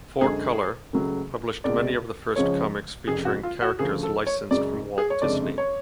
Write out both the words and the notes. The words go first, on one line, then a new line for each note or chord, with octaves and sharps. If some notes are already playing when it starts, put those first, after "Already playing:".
"Four Color" published many of the first comics featuring characters licensed from Walt Disney.
F#2 D3 G#3 G#4
C#2 C#3 F#3 A3
C#2 B2 G#3 D5
C#2 C#3 F3 G#3 C#5
F1 F2 C#3 G#4
F#4
F4
F#4
D2 C#3 F3 A3 G#4
A4
C#5
F#2 C#3 G#3 D5
G#4
C#5
F#1 F2 D3 G#3 D5
C#5